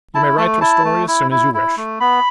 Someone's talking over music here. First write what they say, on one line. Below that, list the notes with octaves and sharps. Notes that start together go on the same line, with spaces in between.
You may write your story as soon as you wish.
E4 A5
A3 A5
E4 A5
A3
E4
E4
E4
A3
B3 B5